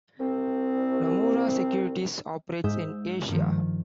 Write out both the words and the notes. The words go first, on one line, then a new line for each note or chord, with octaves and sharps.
Nomura Securities operates in Asia.
C2 C4
G#2 E5 D#6 G6
G2 D#3 F3